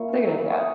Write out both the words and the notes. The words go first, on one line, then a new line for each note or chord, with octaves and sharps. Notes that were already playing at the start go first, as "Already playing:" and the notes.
a good idea.
Already playing: A#2 A#3 E4 C#6
C#4
F#3
E3 B5
D#4 C#6